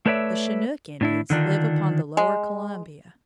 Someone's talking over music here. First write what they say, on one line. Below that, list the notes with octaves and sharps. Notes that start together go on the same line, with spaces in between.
The Chinook Indians live upon the lower Columbia.
A3 A4 B4 C#5 D5 E5
A2 D4 E4
D3 D#3 D4 F4
G#3